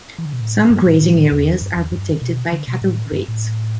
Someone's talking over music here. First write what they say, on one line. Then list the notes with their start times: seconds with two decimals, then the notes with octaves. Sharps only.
Some grazing areas are protected by cattle grids.
0.18 E3
0.25 D3
0.33 B2
0.40 A2
0.70 G2
0.86 A2
1.01 A2
1.16 A2
1.32 E2
1.61 G2
1.77 E2
1.91 G2
2.22 B2
2.52 D3
2.68 B2
2.82 A2
3.12 G2
3.28 A2